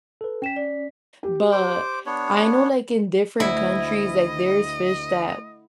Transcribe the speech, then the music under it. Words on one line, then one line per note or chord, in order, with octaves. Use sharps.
but I know like in different countries, like there's fish that
A4 B4
C#4 G5 B6 E7
D5
G4
C5 D6
B3 D4 C#5
D2 E4 D#5